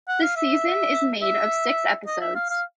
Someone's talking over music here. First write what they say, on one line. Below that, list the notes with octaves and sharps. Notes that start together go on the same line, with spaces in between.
The season is made of six episodes.
F#5
F5
E5
E5
D#5
E5
F5
F5